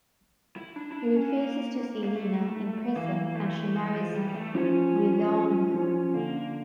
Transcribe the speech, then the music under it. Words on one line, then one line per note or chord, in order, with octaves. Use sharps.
He refuses to see Lina in prison and she marries Guillaume.
E4
D4
E4
D4
C#4
A#3
A#3
A3
E3 A#3
A3
G3
F3
G3
G3
A3
F3 C#4
F3
D3 A#3